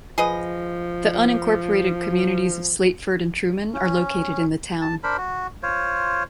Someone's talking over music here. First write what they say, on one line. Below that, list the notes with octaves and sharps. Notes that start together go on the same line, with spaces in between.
The unincorporated communities of Slateford and Truman are located in the town.
F3 G#4 B4 D#5
C#4
A5
D4 A#4 C5 B5
F#4
F4 C5 C#5